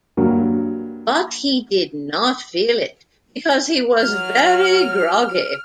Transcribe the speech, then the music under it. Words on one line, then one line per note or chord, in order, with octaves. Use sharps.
But he did not feel it, because he was very groggy.
G2 F#3 A#3 F#4
F#3 F6